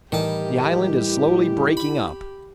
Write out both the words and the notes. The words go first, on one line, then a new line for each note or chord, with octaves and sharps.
"The island is slowly breaking up."
A2 D#3 E3 G3 G4 A5
E4
B5